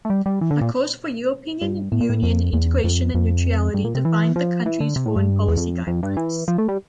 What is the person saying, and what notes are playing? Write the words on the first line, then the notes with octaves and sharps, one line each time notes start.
A course for European Union integration and neutrality define the country's foreign policy guidelines.
A3
G3
G3
E3
D3
A#2
G2
A2
A#2
A2
F2
E2
F2
F2
G2
A#2
C3
E3
F3
E3
D3
C3
A2
G2
E2
F2
F2
G2
E3
F3
A3
G3